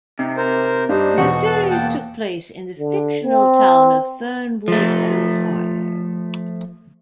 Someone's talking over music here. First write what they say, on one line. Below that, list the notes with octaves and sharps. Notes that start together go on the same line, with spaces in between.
The series took place in the fictional town of Fernwood, Ohio.
C3 D#4
A#4 C5
G2 D4 D#4 G4 C5
E1 B2 F#4
B4 A5 F#6
A#3 F#5 G5 A5
D3
C4
F3 A3